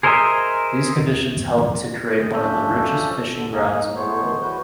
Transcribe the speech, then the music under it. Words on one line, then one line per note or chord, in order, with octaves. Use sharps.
These conditions helped to create one of the richest fishing grounds in the world.
G#4 A#4 C5 D#5 E5
G#3 G#4 G#5
F3 C#4 D4 A4 E5 G6
D3 A4
A#3 D#4 G#4
G#3 A3 B3 C5 C#5
E2 E3 F#4 B4 G6